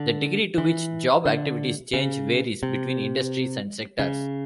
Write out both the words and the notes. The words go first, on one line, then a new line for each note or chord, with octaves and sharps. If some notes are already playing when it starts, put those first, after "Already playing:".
The degree to which job activities change varies between industries and sectors.
Already playing: D3
E3
D3
C#3
C3
C#3